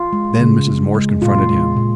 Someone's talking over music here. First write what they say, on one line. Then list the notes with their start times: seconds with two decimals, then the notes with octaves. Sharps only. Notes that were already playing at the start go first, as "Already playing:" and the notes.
Then Mrs. Morse confronted him.
Already playing: F4
0.13 G#3
0.40 C#3
0.68 G#3
0.94 G#3
1.22 A#2 F4
1.49 G#3
1.77 A#2